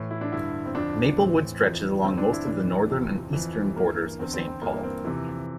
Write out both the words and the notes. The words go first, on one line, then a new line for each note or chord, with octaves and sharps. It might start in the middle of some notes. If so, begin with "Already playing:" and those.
Maplewood stretches along most of the northern and eastern borders of Saint Paul.
Already playing: A2 E3
E4
D4
G2 D3 E4
C4
F2 D3 D4
A2 E3 C4
F2 E3
G2 D3 C4
D4
E4
A2 E3 D4
F2 C3 E3 C4
F3
F2 E3
G3
G2 E3 A#3
E2 D3 C4
C4
C4
G2 E3 A#3
A#3
C4
F2 C3 E3